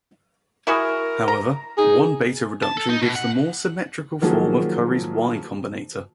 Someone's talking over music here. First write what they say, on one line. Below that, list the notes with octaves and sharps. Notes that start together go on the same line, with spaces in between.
However one beta reduction gives the more symmetrical form of Curry's Y combinator.
E4 F#4 G#4 A#4
A#5
D#4 G#4
A5
A4
D#4
B2
F#5
D#3 F3 F#3 A#3 G#4